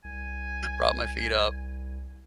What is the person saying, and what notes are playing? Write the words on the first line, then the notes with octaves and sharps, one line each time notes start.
prop my feet up,
C2 G#5